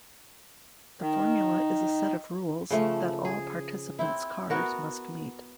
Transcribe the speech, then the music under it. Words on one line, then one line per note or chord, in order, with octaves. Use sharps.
The formula is a set of rules that all participants' cars must meet.
D#3
C#3 F3 A3
G#4
C4 E4
B3 F#4 A#4